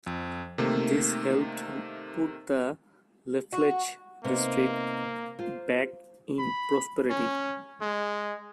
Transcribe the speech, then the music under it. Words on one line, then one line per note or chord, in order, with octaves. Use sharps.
This helped put the Lafleche district back in prosperity.
F2
C3 D#3 A3 A#3
F#4
C3 A#3 B3 D#4
F4 C5
B5
C#4
G#3